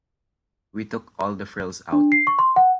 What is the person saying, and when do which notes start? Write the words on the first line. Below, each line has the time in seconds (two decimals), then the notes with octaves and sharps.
We took all the frills out.
1.93 D4
2.12 C7
2.27 C#6
2.39 C6
2.56 F#5